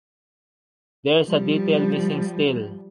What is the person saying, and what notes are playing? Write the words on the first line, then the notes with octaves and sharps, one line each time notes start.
There is a detail missing still.
F3 G3